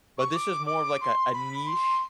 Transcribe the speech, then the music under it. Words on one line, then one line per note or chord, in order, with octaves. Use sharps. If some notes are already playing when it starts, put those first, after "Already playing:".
but this was more of, like, a a niche
C#6
D6
D6
C6
B5
C6